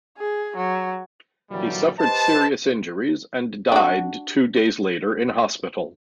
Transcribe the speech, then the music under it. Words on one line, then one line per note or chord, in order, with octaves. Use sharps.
He suffered serious injuries and died two days later in hospital.
G#4
F#3
A#2 D3 E3 F#3 G3
G4 B4 C5 D#5 A5
D4 F#4